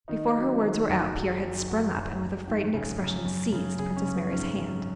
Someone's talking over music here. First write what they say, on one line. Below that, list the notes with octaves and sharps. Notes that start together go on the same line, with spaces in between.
Before her words were out, Pierre had sprung up and with a frightened expression seized Princess Mary's hand.
D#3 D#4
F#3
D#3
F#1
F#3
F#2
F#3 F#4
F#2
F#2
G#1
C#3
F#2
F#2
C#3
C#3 G#4
C#4
C#3
B3
G#1 C#4
F#2